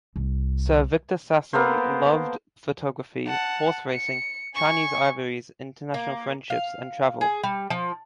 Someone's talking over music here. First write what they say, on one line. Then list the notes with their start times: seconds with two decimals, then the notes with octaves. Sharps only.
Sir Victor Sassoon loved photography, horse racing, Chinese ivories, international friendships and travel.
0.16 C2
1.53 A#3 B3 A4 C5
3.26 F#5 A5
3.91 C#7
4.55 G#5 C#6
5.94 A#3
6.50 F5
7.21 G#4
7.43 G3
7.70 F3